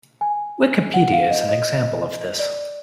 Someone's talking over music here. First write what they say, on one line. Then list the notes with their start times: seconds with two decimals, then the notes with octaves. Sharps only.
Wikipedia is an example of this.
0.21 G#5
0.94 F#5
1.12 F5
1.30 D#5
1.49 D#5
2.39 D5